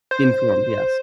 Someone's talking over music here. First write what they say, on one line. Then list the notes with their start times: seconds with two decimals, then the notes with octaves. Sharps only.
Informed, yes.
0.11 C5